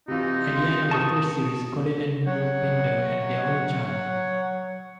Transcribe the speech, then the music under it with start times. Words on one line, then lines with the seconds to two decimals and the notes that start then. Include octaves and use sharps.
At the end of the first series Colin and Rupinder had their own child.
0.08 C3 E3 D#4 F4
0.91 A5 C#6 D#6
2.26 F#3 C#5 F#5